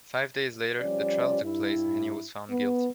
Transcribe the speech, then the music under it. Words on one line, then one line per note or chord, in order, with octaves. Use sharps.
Five days later, the trial took place and he was found guilty.
F3 G3 C#4 D5
G2 E4
B3